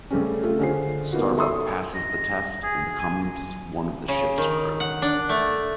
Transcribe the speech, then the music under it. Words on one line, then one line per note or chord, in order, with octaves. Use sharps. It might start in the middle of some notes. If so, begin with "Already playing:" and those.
Starbuck passes the test and becomes one of the Ship's crew.
C#3 G3 A3 C4 C#4
A3 F4
D3 C#4 F4 G#4 C5 C7
A#3 B3 D#4 F4 F#4
A4 E5 C6 C#6 D#6 E6
D#5
G#4
G#5
C#3
D#3
F#5
D4
A3